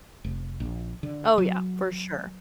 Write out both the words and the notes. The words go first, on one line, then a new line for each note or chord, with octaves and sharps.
Oh, yeah, for sure.
F1
A#1
D3
F#3